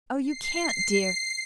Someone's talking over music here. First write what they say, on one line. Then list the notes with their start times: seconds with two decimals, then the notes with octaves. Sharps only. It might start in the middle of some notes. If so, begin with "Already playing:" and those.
'Oh, you can't, dear!
0.24 C7